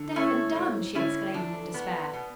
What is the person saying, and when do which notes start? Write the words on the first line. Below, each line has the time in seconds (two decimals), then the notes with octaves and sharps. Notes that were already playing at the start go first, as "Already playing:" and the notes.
"Deaf and dumb!" she exclaimed in despair.
Already playing: D3
0.16 A3 C#4 E4
0.55 G#2
0.95 D3 C#4 E4
1.34 E2 D4
1.74 B3
2.13 B2